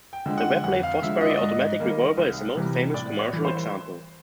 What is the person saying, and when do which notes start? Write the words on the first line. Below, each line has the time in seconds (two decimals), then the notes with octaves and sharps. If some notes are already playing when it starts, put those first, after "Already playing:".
The Webley-Fosbery Automatic Revolver is the most famous commercial example.
0.13 G5
0.26 D3 F3 G#3
0.38 F#5
0.63 F2 F#5
0.83 F5
1.02 D3 F3 G#3 E5
1.21 D#5
1.30 D5
1.37 G#2 D#5
1.79 D#3 G3 A#3
2.17 C2
2.56 C3 E3 G3
2.94 A2 D5
3.19 C#5
3.33 E3 G3
3.45 C5